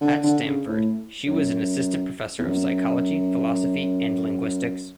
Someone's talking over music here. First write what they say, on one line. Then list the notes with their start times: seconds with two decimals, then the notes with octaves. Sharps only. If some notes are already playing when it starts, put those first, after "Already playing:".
At Stanford, she was an assistant professor of psychology, philosophy, and linguistics.
0.01 D3
0.23 D3
0.45 C#3
0.68 A2
1.27 F#2
2.39 E2
2.46 F#2